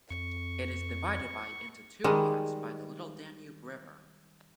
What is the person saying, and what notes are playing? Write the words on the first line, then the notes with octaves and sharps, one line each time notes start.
It is divided by into two parts by the Little Danube river.
F2 C#6
D#3 G3 G#3